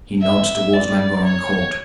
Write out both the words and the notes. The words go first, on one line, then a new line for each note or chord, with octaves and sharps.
He nods towards Llangorren Court.
E5
D5
C#5